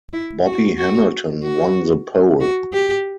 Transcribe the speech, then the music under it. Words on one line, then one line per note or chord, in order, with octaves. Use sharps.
Bobby Hamilton won the pole.
E4
F#4
F#4
F#4
F#4
G4